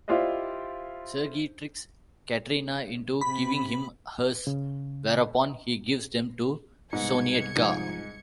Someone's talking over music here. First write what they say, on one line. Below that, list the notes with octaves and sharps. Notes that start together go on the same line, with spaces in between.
Sergei tricks Katerina into giving him hers, whereupon he gives them to Sonyetka.
E4 F4 G4 C5 D5 D#5
C3 B5
C#3
C2 G#2 B3 G#6 C#7
G#2 F3 D#4